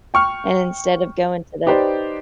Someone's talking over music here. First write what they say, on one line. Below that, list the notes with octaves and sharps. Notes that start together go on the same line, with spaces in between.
and instead of going to the
G5 C#6 F6
D#4 G4 B4 C5 D5